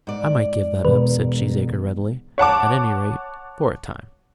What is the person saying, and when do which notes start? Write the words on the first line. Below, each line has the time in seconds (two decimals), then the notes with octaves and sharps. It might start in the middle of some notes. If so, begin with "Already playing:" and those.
"I might give that up," said Cheesacre readily,--"at any rate, for a time."
0.07 G#2 D5
0.85 E1 B4
2.38 C#5 F#5 A5 D6